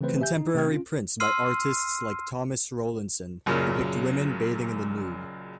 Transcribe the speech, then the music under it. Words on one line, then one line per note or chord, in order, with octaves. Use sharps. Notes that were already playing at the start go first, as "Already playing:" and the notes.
Contemporary prints by artists like Thomas Rowlandson depict women bathing in the nude.
C#3 E3 A3 C4 B4 C5
G4 E5 G#5 G6
D#4
C3 A3 C4 G5 F6 G#6
C#4 F4
C6 E6 F6 C7 D#7
F#1 F#2 A#2 C#3